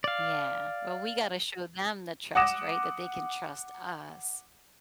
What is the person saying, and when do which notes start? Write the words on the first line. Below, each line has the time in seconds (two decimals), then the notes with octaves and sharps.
Yeah, well, we gotta show them the trust, right, that they can trust us,
0.04 D5 F5
2.35 F#5 D6 D#6 A#6 E7